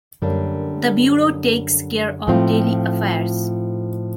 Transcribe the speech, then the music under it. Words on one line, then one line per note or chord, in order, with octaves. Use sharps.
The Bureau takes care of daily affairs.
F#2 D3 G3 A#3 D4
A2 F3 A3 C4 F4